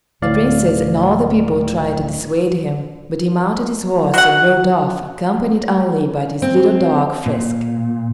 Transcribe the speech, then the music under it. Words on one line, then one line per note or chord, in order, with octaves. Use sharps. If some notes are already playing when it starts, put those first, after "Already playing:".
The Princess and all the people tried to dissuade him, but he mounted his horse and rode off, accompanied only by his little dog, Frisk.
D2 A2 D5 F5
F#3 F#5
C4
A#2